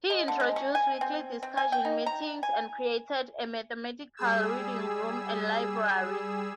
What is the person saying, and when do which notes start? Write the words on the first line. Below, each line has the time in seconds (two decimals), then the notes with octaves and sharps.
He introduced weekly discussion meetings, and created a mathematical reading room and library.
0.10 G#3
0.28 D3
0.40 G#3
0.56 C#4
0.75 G#5
1.01 C4
1.43 C4
1.57 G#5
1.72 G5
1.85 D#4
2.06 A#5
2.43 G#5
4.17 G3 G#4 E6